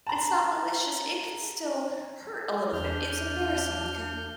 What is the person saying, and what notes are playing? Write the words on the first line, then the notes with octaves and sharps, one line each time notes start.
it's not malicious, it can still hurt a little bit. It's embarrassing because,
A5 A#5
E2 D4 F6 G6